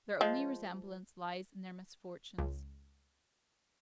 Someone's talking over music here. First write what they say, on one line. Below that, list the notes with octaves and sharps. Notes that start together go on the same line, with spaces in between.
Their only resemblance lies in their misfortunes.
F3 G#3
C#2